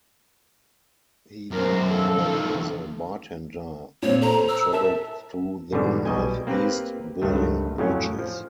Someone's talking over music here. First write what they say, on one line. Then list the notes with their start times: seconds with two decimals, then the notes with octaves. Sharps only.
He then worked as a bartender and traveled through the Northeast building bridges.
1.51 F#2 B2 A#4 C5
1.88 A4 F5
2.18 D#3 F3
4.03 A#2 C4 C#5
4.21 A4 C5 A#5
4.48 E6
4.72 A#4 E5 A5 E7
5.73 G#2 B2 D3 G3
6.05 B1 B2 G3 D#5 G5 G#5
6.47 A#3 C4 G4 A#4 B4
7.22 C#2 G2 D#3 A3
7.78 F2 A2 F#3 C#4
8.19 F3